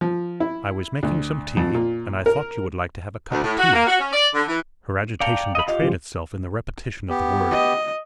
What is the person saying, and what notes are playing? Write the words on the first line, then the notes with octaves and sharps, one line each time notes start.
"I was making some tea, and I thought you would like to have a cup of tea." Her agitation betrayed itself in the repetition of the word.
F3
E4
D2
F2
A#2
A#4
D2
A2
F#4
A#3
F#4
C#4
D5
D3
E3
D5 F5 G5 A5 A#5 C#7
D#5 B5
F4 G4 D#5
C#3 F3 G3
B3 G4
D#5